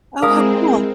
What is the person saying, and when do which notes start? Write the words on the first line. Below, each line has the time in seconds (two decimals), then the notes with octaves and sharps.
Oh, how cool.
0.22 G#3 C4 E4 G#4 A#4 F5 D#6